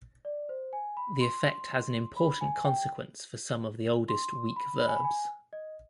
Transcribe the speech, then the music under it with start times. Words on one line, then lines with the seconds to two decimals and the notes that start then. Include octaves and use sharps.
The effect has an important consequence for some of the oldest weak verbs.
0.25 D5
0.49 C5
0.73 G#5
0.97 B5
1.21 C6
2.17 B5
2.41 G#5
2.65 G5
4.09 C6
4.56 B5
4.81 B5
4.88 G#5
4.96 B5
5.04 G#5
5.53 D#5